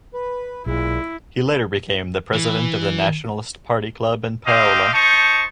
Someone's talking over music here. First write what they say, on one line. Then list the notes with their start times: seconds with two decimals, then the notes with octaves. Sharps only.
He later became the president of the Nationalist Party club in Paola.
0.14 B4
0.66 B1 A#2 G#3 E4
2.33 E3
4.46 C4 G4 D#5 F5
4.93 D#4 C5 A5 C#6